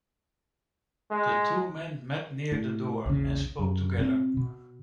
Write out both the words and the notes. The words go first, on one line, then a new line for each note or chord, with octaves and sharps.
The two men met near the door, and spoke together.
G#3
A2
A#1 E2 C#3
F#2
B2 C4
B2